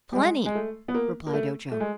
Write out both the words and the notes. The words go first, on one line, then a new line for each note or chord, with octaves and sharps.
"Plenty," replied Ojo.
G3
G#3
G#3
A3
B3
A#3
A#3
A3
A3
G#3